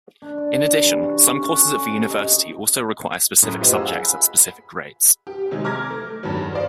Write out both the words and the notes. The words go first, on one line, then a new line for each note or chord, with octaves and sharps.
In addition, some courses at the university also require specific subjects at specific grades.
D4
D5
C3
E3
F#4
C#4
A4
F#4
A#5
C3
D#4
F#2 A2
F4 G4 B4 C5 D#5
G#4 F5 F#5 A#5 E6
F#5 G#5
B5
G4
C3 D#3 F#3 G#3
A#5 D6 F6 G#6 A#6
A3
E2 G2 D#3 F#3
C5 D5 F5